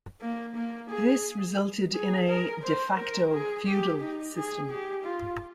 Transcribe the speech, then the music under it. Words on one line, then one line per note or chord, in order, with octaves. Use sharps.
This resulted in a "de facto" feudal system.
A#3
A#3
G#4
G#4
A#4
C5
A#4
G#4
G4
D#4
G#4
G4
F4